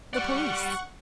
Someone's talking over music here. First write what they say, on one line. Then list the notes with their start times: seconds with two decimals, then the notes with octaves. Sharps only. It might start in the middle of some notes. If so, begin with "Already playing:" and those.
"The police."
0.13 G3 D5 F#5 C#6